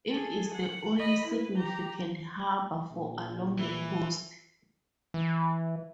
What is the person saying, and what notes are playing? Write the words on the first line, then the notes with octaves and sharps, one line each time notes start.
It is the only significant harbour for along the coast.
G#4 A4
F#5
D#5 B5
E4 B4
G4 A#5
A#1
E3 E4
E3